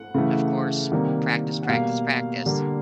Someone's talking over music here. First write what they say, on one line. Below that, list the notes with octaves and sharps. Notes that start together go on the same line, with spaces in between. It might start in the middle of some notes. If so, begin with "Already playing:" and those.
of course, practice, practice, practice.
Already playing: F#5
C#3 E3 A3
C3 D#3 G3 A#3
F#5
B2 G3 A#3 F5
D3 G3 A#3